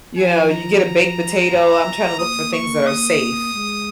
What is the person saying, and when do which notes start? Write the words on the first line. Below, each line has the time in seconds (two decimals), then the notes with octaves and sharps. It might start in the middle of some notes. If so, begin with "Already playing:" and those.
You know, you get a baked potato, I'm trying to look for things that are safe.
0.16 F3 G#5
0.50 A#5
2.19 A#3 D#6
2.53 C#6
2.86 D#6
3.55 G#3